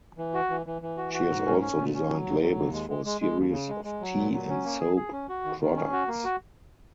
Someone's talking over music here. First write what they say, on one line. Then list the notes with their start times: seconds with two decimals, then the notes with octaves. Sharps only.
She has also designed labels for a series of tea and soap products.
0.18 E3
0.34 F#4
0.50 E3
0.66 E3
0.82 E3
0.97 F#4
1.14 F#4
1.29 G#2
1.46 C#4
1.61 C#4
1.78 A#2
1.94 C#4
2.10 F#3
2.25 D#2
2.41 F#3
2.57 D#2
2.73 G#3
2.89 G#3
3.05 G#3
3.21 G#3
3.37 D#2
3.53 C#3
3.69 G#3
3.85 G#3
4.01 F#3
4.17 A#2
4.32 F#3
4.49 C#4
4.64 A#3
4.80 G#4
4.96 G#4
5.12 C#4
5.29 F#4
5.45 D#3
5.61 D#3
5.76 C#4
5.92 F#4
6.08 A#3
6.24 F#4